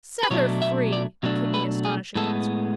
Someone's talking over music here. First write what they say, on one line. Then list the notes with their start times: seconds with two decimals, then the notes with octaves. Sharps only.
"Set her free," came the astonishing answer.
0.23 B4
0.30 B2 F#3 A3 D4 C#5
0.62 E5
0.93 D5
1.23 B2 F#3 A3 D4
1.54 B4
1.85 G#4
2.15 A2 G#3 B3 A4